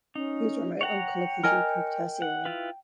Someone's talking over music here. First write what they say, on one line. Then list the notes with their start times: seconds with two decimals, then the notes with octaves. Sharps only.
He was a remote uncle of the Duke of Terceira.
0.15 C#4 D#4
0.81 C#5 F#5 G5 A#5
1.43 A#4 D#5 G#5
2.22 F#5
2.45 E4 F4 B4